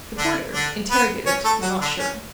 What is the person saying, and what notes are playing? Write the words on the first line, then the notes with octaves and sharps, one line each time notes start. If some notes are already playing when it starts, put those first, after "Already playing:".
The porter, interrogated, was not sure.
D3 D4
D3 D4
B3 B4
C#4 C#5
A3 A4
F#3 F#4
D3 D4
C#4